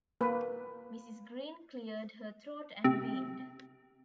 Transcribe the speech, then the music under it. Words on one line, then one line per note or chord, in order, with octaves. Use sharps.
Mrs. Green cleared her throat and beamed.
A#3 B4
C3